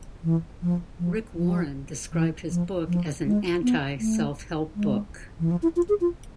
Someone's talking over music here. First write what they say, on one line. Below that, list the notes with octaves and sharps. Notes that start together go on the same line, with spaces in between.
Rick Warren described his book as an anti-self-help book.
E3
F3
F3
F3
E3
F3
F3
G#3
B3
A3
G#3
E3
F3
E4
F4
G#4
F4